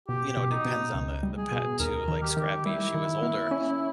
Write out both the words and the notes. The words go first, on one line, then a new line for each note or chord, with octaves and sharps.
you know, it depends on the the pet, too. Like, Scrappy, she was older,
B2 G4
B2
D#4
B2
C#2
G3
G#4
B2
D#2 A#4
D#3
G4
D#3
G3 E4
D#3
A#3
C#4